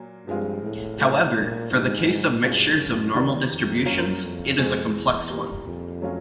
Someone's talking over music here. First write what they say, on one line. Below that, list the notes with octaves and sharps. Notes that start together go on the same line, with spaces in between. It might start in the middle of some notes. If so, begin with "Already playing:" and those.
However, for the case of mixtures of normal distributions, it is a complex one.
Already playing: A#2 F#3 A#3
G2 F3 G#3 C4 F4
A2
F#3 A3 C#4
A#2
G#2 D3 G3 C4
G2 B2 G#3 C#4 F4
F#2
E2 C3 D#3 G3 B3 D4
F2
F#2 F#3 A#3 C#4 F4
F2
F2 B2 G#3 C4
E2
A#2 G3 A#3
F2
F#3 A3 C#4 F4